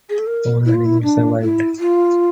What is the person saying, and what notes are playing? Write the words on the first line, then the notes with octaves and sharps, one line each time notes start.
All animals survived.
G#4
A4
A#4
E4
F4
E4
D4
E4
F4